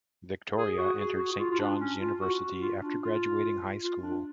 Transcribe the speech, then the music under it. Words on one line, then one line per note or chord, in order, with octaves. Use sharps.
Victoria entered Saint Johns University after graduating high school.
G#4
F#4
G#4
F#4
F#4
F4
F4
D4
C#4
F4
F#4
F4
D4
F4
F4
D4